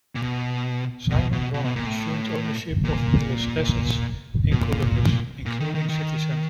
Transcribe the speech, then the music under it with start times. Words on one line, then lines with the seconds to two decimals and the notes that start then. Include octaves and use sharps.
Simon won and assumed ownership of Mills' assets in Columbus, including City Center.
0.15 A#2
0.23 B2
1.10 B2
1.32 B2
1.54 B2
1.65 B2
1.76 A#2
1.87 A2
2.84 A#2
4.51 B2
4.58 A#2
5.46 A#2
5.60 D#3
5.75 D#3
5.89 D#3